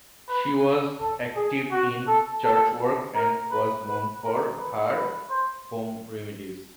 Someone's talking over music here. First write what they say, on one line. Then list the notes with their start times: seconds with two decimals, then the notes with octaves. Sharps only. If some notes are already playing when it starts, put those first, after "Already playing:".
She was active in church work and was known for her home remedies.
0.29 B4
1.00 A4
1.36 G#4
1.72 F#4
2.08 A4
2.44 A4
3.15 A#4
3.51 B4
3.86 B4
4.23 A#4
4.58 B4
4.94 B4
5.30 C5